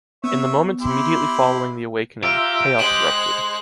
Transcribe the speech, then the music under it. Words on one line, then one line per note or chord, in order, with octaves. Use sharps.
In the moments immediately following the awakening, chaos erupted.
B3 C#5 E5
E4 G4 C6
F4 G4 E5 A#5
G#3 C5 F#6